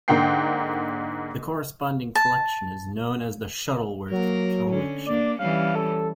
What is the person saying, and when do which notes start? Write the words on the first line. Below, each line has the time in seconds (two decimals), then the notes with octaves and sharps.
The corresponding collection is known as the Shuttleworth Collection.
0.08 G#2 D3 A#3 F#5 G5 C7
2.15 A5
4.11 F#3 A#3 A#4
4.70 D3 C#4
5.06 A#3 D4 D5
5.39 E3 G3 C#4 F5
5.75 A4